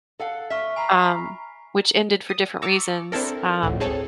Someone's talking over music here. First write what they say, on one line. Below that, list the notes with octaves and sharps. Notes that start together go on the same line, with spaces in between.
um- which ended for different reasons- um
A4 F5 F#5
E5 C#6 F6 B6
G#5 A#5 B5 C7
D#6
A#5 C#6 D6 E6 A6 C#7
C4 D4 E4 A4 A#4
G1 D2 A2
C4 G#4 A4 C#5